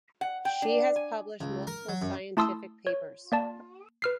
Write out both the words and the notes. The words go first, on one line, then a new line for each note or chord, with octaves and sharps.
She has published multiple scientific papers.
F#5
G5
D4
G#5
C#2
A#4
F#3
F#2
A3 E4 A5 C6 D#6 E6
C#5
A#3 D5 A5
B4 F6 C7